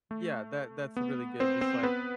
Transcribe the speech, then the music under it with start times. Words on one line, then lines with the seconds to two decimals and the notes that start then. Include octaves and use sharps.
Yeah, that that's a really good just, like,
0.11 A3
0.96 B3
1.40 C4 C5
1.61 C4 C5
1.83 B3 B4